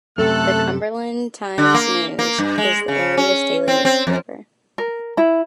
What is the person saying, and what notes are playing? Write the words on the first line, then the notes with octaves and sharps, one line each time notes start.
The "Cumberland Times-News" is the area's daily newspaper.
F#2 C3 A3 A4 F#6
D3
A#3
A#3
G2
G#3
C#3
C#4
C4
C4
F2
A#4
E4 B5